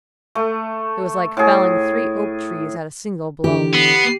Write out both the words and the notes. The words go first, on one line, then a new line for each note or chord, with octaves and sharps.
It was like felling three oak trees at a single blow.
A3
A2 G#4
D3 E3 G4
B3 C7